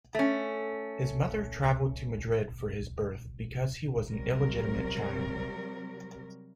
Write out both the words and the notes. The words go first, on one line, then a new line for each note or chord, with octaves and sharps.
His mother travelled to Madrid for his birth, because he was an illegitimate child.
A3 C#4
C3 F#3 G3 A#4